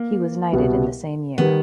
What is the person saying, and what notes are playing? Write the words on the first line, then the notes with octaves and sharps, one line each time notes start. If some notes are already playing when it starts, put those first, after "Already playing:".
He was knighted in the same year.
Already playing: A#3
C2 B2 G3 B3
D#3 G3 B3